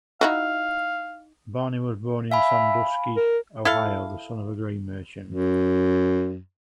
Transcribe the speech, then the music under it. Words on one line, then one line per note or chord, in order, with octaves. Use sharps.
Barney was born in Sandusky, Ohio, the son of a grain merchant.
D#4 E4 F#4 F5
E5 F5 G#5 B5
A#4
E4 A4 F5
F#2